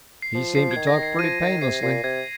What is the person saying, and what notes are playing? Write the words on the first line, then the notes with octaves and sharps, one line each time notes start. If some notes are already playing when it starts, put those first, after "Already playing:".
He seemed to talk pretty painlessly.
C7
F3
F3 C7
D#3 G#6
A#6
D#3
C7
F3 D#7
D#3
C3 C7
A#2 C7
C3 G#6